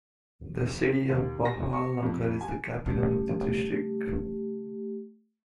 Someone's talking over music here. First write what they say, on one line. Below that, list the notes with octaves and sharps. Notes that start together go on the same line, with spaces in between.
The city of Bahawalnagar is the capital of the district.
D#2
A#6
C#6
F2
G#5
C#3 G3 A3 G4